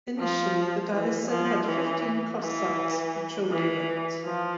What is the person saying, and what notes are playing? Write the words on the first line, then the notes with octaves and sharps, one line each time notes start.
Initially the garrison had fifteen Cossacks patrolling it.
F3
E3
F3
E3
E3
E3
F3